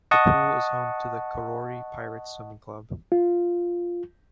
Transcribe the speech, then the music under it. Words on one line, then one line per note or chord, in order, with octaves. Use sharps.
The pool is home to the Karori Pirates swimming club.
D#5 F#5 A5 C#6 D#6
F4